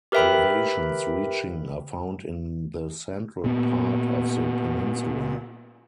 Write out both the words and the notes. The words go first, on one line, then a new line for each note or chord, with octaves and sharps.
Elevations reaching are found in the central part of the peninsula.
G4 A#4 B4 E5 G5 B5
A#2 B3